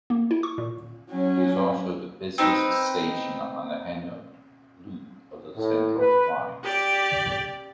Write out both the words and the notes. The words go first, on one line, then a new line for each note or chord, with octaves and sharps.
It is also the busiest station on the Hainault loop of the Central line.
A#3
E4
C#6
A#2
F#3 C#4
C4 D#4 B4
A2
B4
G4 D5